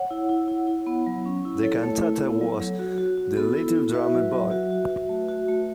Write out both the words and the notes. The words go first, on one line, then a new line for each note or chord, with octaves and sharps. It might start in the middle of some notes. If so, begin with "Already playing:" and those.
The cantata was "The Little Drummer Boy".
Already playing: C#5 F#5
E4
E4
E4
E4
B3
F#3
C#4
E4
E4 A4 C#5
A3
E4
B3
F#3
F#3
F#4
F#4
F#4
B3 A4
E4
E4
F#4 B4 E5
F#3
F#3
F#4
F#4
F#4
A3
F#4
A3